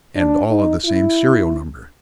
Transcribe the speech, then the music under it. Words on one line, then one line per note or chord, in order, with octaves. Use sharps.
"And all of the same serial number."
D4
D#4
E4